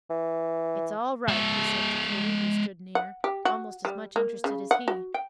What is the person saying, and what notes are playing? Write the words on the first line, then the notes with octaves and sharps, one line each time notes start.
"It's all right," he said to Katy, who stood near, almost as much interested as he.
E3
G#3 E5
F#5
G4
F#4
G3
A#3
C#3
F#5
F#4
G5